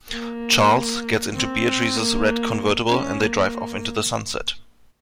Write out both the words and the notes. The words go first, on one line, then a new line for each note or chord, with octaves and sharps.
Charles gets into Beatrice's red convertible and they drive off into the sunset.
A#3
C4
A#3
C#4
A#3